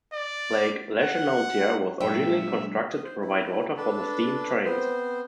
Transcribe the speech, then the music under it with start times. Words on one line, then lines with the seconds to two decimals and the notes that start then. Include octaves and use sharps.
Lake Leschenaultia was originally constructed to provide water for the steam trains.
0.13 D5
1.00 F#5
2.01 A#2 F#3 G#3 D4 E5 G5
2.90 D#5
3.04 C5
3.21 E4
3.77 D4 A4 B4 A5
4.64 B3 C4 C5